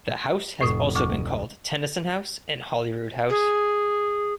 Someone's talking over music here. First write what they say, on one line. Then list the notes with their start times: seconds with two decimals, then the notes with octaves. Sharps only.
The house has also been called Tennyson House and Holyrood House.
0.61 F1 A2 C#6 D#6
0.95 D2 C#6 D6
3.29 G#4